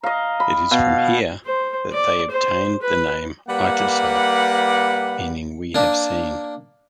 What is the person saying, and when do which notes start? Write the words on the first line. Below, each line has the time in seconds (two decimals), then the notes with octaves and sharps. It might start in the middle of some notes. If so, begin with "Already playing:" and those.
It is from here that they obtained the name Iteso, meaning we have seen.
0.03 D#5 F5 A#5
0.40 B5
0.71 B2 F5
1.46 C5
1.92 D5
2.31 C5
2.82 B4
3.48 G3 A#3 B4 F#5
5.75 A#3 D4